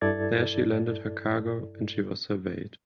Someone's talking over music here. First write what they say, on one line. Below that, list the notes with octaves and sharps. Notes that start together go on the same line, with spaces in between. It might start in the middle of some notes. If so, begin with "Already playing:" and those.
There she landed her cargo and she was surveyed.
G2 E4 A4 D5 G#6 A6